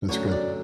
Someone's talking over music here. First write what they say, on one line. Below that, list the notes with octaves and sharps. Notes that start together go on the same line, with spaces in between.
That's good.
D2 D3 F#3 C#4 C#5
D5